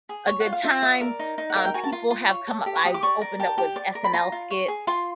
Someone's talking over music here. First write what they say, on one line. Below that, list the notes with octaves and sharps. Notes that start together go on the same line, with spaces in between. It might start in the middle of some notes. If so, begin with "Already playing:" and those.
a good time. Um, people have come u I've opened up with SNL skits,
G#4
C#5
F#5
F4
F5
F4 E5
D5 E5
A#4
D#4
D#4
F#5
A#4 F5
G5
F#4 G#5
A5
F4
F4
C#5
A4
G4
C#6
G4 D#6
D6
D5 C#6
A#4
G4 A5
G4
D5
A#4
B5
F4 A#5
F4
C#5
G#4
F4 C6